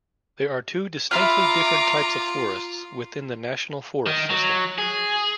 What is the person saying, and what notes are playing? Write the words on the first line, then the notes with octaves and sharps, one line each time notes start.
There are two distinctly different types of forests within the National Forest system.
F4 E5 A#5 B5 D6 F6
D#3
F#3
G#4